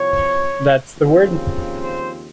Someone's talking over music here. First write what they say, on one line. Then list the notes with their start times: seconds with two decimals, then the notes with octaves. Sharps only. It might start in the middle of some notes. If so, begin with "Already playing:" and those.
That's the word.
Already playing: C2 C3 F3 C4 C#5
0.95 D#2 C#3 F3 C4
1.83 C5